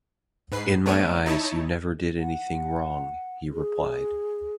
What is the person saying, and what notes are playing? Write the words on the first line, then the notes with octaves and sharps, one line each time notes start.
"In my eyes, you never did anything wrong", he replied.
G#2 B4 C7
A3 B3 D4 C#5 D7 D#7
D#4 E4 C#5 A5
F#5
G#4